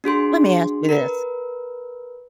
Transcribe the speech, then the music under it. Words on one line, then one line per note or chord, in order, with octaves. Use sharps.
Let me ask you this
D4 F#4 G#4 C6
A#4 B4